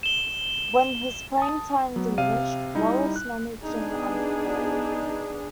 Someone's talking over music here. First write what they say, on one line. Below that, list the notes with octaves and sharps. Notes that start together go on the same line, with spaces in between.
When his playing time diminished, Wallace managed and umpired.
E7 G7
A5 D#6
F#3 B3
C3 F5 D#7
G3 D#4 E4
F#6
B3 D4 D#4 G#4